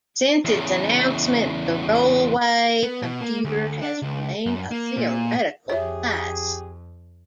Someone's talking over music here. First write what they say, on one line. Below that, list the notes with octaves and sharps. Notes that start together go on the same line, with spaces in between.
Since its announcement, the roll-away computer has remained a theoretical device.
E2 C#3
B3
B2
A#3
D2
D4
C#2
F#2
A#3
A#2
F2 G4 G#4 C#5 E5